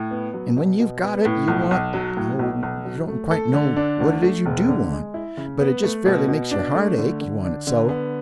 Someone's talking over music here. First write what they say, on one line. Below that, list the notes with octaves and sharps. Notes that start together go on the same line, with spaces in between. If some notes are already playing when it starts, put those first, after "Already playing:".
And when you've got it, you want--oh, you don't quite know what it is you DO want, but it just fairly makes your heart ache, you want it so!
Already playing: A2
B3
F#3
B2
B2
B3
A2
B1
B1
F#3
A2
B1
B1
F#3
A3
A4
D3
D4
D2
A3
E1
D3
G#3
E4
C#3
B3
A3
B2
B2
D4
A3
D3
D3
D4
D3
B3